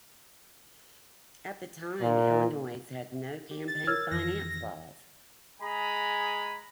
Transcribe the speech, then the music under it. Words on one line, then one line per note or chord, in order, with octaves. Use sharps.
At the time, Illinois had no campaign finance laws.
A#2
G4
A6
A#4 C#5 E6 F6 G#6
F2 D#3 E3 A#6
G#3 G#4 G#5 A#5 B5